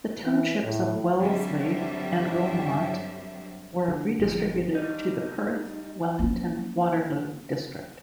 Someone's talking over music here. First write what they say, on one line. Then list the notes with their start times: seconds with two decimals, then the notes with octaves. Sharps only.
The Townships of Wellesley and Wilmot were redistributed to the Perth-Wellington-Waterloo district.
0.24 E3
0.63 A2
1.19 G2 D3 F#3 G3 C4 E5
3.88 D3
4.20 G1 A#2 F3 G3
4.75 G3 D#4
6.19 A#3 C#4